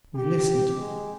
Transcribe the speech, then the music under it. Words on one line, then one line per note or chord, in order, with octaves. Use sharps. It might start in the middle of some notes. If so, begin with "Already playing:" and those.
We listened.
G4
G#3